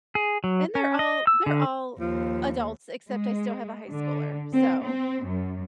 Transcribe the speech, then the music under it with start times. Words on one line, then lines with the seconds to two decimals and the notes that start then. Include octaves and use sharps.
and they're all they're all adults, except I still have a high schooler, so
0.15 G#4
0.44 F#3
0.75 C#4
0.99 D#5
1.27 E6
1.46 D3
2.00 D#2 F3
3.10 G#3
3.88 D3
4.54 C4
4.84 C4
5.24 F#2